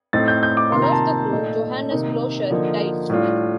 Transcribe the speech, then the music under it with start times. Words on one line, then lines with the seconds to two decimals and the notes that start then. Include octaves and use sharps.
One of the crew, Johanes Blocher, died.
0.13 A2 A3 C4 D#4 A6
0.28 G6
0.43 G6
0.57 D6
0.72 C3 D#3 A#3 F4 C6
0.82 A#5
0.92 A5
1.32 A#2 A3 D#4
1.91 C3 D#3 A#3 D#4
2.51 D3 F3 A#3 D#4
3.10 A2 G3 D4 F4